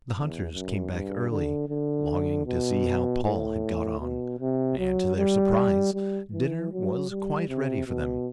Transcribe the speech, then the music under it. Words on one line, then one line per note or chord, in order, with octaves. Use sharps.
The hunters came back early, longing to see how Paul had got on, and, to their surprise, dinner was quite ready for them.
E2
F#2
G2
D3
D3
B2
A2
B2
C3
F#3
G3
G3
E3
F#3
G3
C3
B2